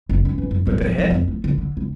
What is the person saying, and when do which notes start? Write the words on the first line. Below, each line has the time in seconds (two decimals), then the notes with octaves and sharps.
"But the head?"
0.09 F#1
0.25 C#4
0.38 E3
0.51 F#2
0.67 F#3
0.81 F3
0.98 F3
1.10 F2
1.28 A3
1.44 D3
1.58 D3
1.77 C#2